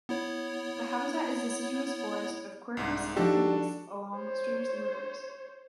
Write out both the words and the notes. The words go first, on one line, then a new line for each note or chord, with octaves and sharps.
The habitat is deciduous forest of "Quercus" and "Fagus" along streams and rivers.
B3 E4 C#5
C2 G#2
F3 D4 D#4 F#4 G4 A4
C5 C#5